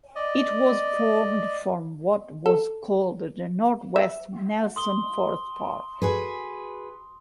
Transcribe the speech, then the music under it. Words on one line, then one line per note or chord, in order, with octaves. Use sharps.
It was formed from what was called the North-west Nelson Forest Park.
D5 D#5
A4
E5
C6 D#6 G7
F#4 G#4 B4